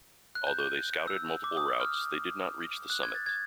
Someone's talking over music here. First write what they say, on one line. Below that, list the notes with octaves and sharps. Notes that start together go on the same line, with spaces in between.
Although they scouted multiple routes, they did not reach the summit.
F#6
G6
G6
E6
D6
D#6
F6
F#6
G#6
A6
G#6